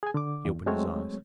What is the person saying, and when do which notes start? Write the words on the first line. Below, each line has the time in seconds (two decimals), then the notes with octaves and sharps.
He opened his eyes.
0.03 G#4 G#5
0.14 D3 D6
0.45 E2
0.66 F#3 G#3 A3 C4 C#5